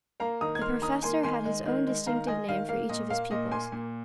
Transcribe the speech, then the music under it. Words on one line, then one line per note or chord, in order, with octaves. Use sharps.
The professor had his own distinctive name for each of his pupils.
A#3 F5 A#5
D#3 A#5 D#6
G#6
A#3 C6 F6
D#3 A#5 D#6
A#3 G#5 C6
D#3 G#5 C6
G#3
D#3
G#3
D#3 F5 A#5
G#3 D#5 G#5
D#3 F5
A#3 F5
A#2 D#5
A#3 F5
A#2 D#5
A#3 G#5 C6
A#2